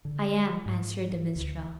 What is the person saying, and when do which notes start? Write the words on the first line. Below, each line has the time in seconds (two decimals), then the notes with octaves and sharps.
"I am," answered the minstrel.
0.05 D3
0.66 G#2
1.36 D2